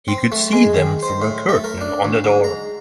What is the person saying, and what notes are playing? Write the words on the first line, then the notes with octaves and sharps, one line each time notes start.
He could see them through a curtain on the door.
C4
A3
G#3
D#3
C5
A2
A3
A#4
D4
D2
G#2
A#5